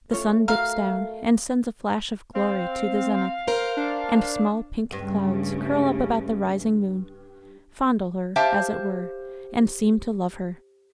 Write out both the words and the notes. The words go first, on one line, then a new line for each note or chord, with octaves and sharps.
The sun dips down, and sends a flash of glory to the zenith; and small pink clouds curl up about the rising moon, fondle her, as it were, and seem to love her.
A3 C#4 F4 C#5
F#4 A#4 F5 A#5
C4 F5
A#4 C5
D4
G2 C#3 A3 C#4
G4 C5 E5 F5 G5 A5